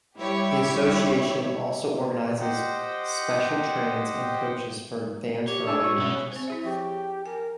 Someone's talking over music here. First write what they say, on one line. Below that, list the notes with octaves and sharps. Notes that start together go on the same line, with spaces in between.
The association also organizes special trains and coaches for fans for away matches.
G3 E4 G4 C#5
G4 C5 D#5 F#5 G5
G4 C#5
D4 G#5 E6
B2 C#6
B2 C#4 F#4
C4 C5
E4 G#4 E5
F3 G4 C#6
A#4 G#5